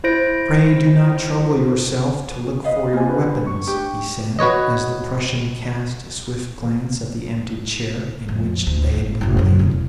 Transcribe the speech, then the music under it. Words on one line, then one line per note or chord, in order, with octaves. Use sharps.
"Pray do not trouble yourself to look for your weapons," he said, as the Prussian cast a swift glance at the empty chair in which they had been laid.
E4 C5 A#6 D7
B4 D#5 F5
A#3 F4 G#5
D4 G4 B4
C#6
D4 G4
F#4 B4 C#5 D#5
F2
D2
G1
F#1 B1
F#2 C#3
E1